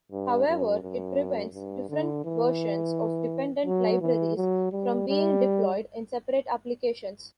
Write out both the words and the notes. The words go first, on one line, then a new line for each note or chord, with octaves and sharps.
However, it prevents different versions of dependent libraries from being deployed in separate applications.
G2
F#2
F#2
G2
D3
E3
F#3
E3
F#3
G3
G3